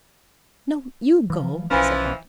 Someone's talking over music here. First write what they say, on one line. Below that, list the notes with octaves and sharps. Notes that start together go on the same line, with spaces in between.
"No, you go," said Robin.
E3 F3
B1 E3 F3 C#4